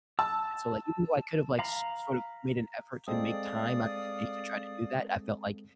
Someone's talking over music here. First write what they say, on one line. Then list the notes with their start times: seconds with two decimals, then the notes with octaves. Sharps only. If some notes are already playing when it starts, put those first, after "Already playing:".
and, so, like, even though I could have like so sort of made an effort to make time out of the day to try to do that, I felt like,
0.19 A5 E6
1.59 F5 A#5 B5
3.08 G#3 C4 A4 D5 F5 D#6